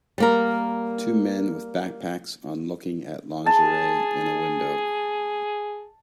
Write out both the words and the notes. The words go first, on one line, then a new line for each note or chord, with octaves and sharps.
Two men with backpacks on looking at lingerie in a window.
G3 A#3 A#4
G#4 A5